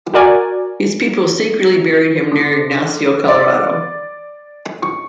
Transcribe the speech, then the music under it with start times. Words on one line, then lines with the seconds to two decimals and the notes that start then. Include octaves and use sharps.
His people secretly buried him near Ignacio, Colorado.
0.14 F#4 A#4 D5 G#5
2.31 D3
3.28 D5
4.82 C#6